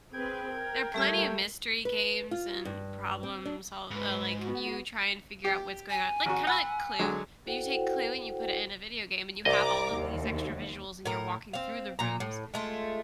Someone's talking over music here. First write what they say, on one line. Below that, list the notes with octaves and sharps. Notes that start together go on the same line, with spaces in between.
there are plenty of mystery games and problems, all all, like, you try and figure out what's going on, like kinda like Clue, but you take Clue and you put it in a video game and you have all of these extra visuals and you're walking through the rooms,
C4 G#4 B4 G5 G#6
A#4
G3 A3 G4 E5
B4
F4
G2
C4
D4
G#2 B4
B3 F#4
G4
G#5
G#1 F#4
F#5 B5 E6
D3 F#3 G#3
E4 F#4 A4 C5 F#5 G5
C2 D5 D#5 A#5 D6
D#2
A2 A#4
C4 F5
A#2 A#5
A2
G#3 A3 F4